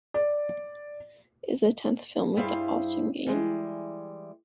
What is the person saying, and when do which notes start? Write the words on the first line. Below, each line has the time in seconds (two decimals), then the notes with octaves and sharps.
It is the tenth film with the Olsen gang.
0.14 D5
2.37 G2 G3 E4 G#4 C5 F5
3.26 E3 G3 G#3